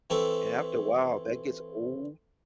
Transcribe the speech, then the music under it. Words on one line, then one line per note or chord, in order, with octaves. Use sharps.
And after a while, that gets old,
E3 C4 A4 C#6